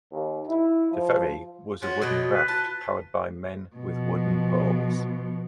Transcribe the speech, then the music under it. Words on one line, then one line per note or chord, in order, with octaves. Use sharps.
The ferry was a wooden raft powered by men with wooden poles.
D#2
E4
F3
G#3 C#4 F4 F#4
B2 D3 F#3 D#5
B4
F4 B4 A5
B2 F3